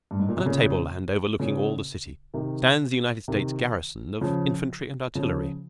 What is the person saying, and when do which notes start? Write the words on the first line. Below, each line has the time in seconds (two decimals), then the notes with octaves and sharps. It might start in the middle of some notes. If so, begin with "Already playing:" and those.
On a table-land overlooking all the city stands the United States garrison of infantry and artillery.
0.11 G2
0.19 G#2
0.29 A#2
0.37 C3
0.46 A#2 C#3
1.40 A#2 C#3
2.34 C3 D#3
3.28 C3 D#3
4.21 C#3 F3
5.15 C#3 F3